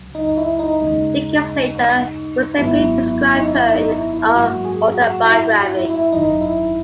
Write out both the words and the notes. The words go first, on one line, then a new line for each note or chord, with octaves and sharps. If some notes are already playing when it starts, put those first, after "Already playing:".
Decades later, Giuseppe described her in his own autobiography.
Already playing: C#2 C#3 F#3
D#4
E4
D#4
D#2 C#3 G#3
G#1 G#2 D#3 F#3 B3 E4
E4
D#4
E4
D#4
E4
E4
G#2 F#3 A#3 F#4
G#4
F#4
E4
F#4
E4
E4
G#1 F#2 D#3 D#4
E4